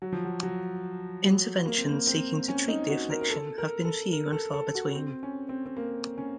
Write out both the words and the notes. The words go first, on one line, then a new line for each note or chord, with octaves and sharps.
Interventions seeking to treat the affliction have been few and far between.
F#3
F3
F#3
F#3
F#3
A#3
C4
A#3
C4
C#4
D#4
F#4
A#4
A#4
A4
A#4
A4
A#4
A4
A4
F#4
C4
C#4
C4
C4
A#3
C#4